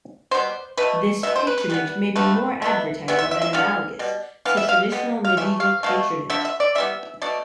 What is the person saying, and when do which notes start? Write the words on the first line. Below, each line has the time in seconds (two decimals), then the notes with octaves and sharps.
This "patronage" may be more advertising than analogous to traditional medieval patronage.
0.31 B2 G3 B3 C5
0.77 B2 A3 B4
1.23 B2 B3 E5
1.36 C5
1.47 B4
1.58 B4
1.70 E3 G3 B3 B4
2.16 D3 F3 A3 B4
2.62 B2 B3 E5
3.08 E3 G3 B3 E5
3.19 E5
3.31 E5
3.42 E5
3.53 D3 G3 B3 F5
3.99 B2 G3
4.45 E3 B3 F5
4.57 E5
4.69 F5
4.92 B2 G3 B3
5.25 F5
5.37 E3 E5
5.42 A3
5.60 F5
5.83 B2 A3 F5
6.30 D3 F3 A3 E5
6.45 E5
6.60 D5
6.75 E3 G3 B3 E5
7.22 B2 A3 D5